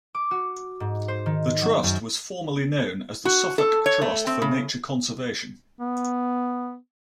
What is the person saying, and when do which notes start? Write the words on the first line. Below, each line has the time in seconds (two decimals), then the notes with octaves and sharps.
The trust was formerly known as the Suffolk Trust for Nature Conservation.
0.15 D6
0.31 F#4
0.80 G#2
1.08 C5
1.26 D#3
1.62 F#3
1.83 F#2
3.25 F#4
3.58 A4
3.86 C#5
4.01 A3
4.27 C4
4.42 C#3
5.80 B3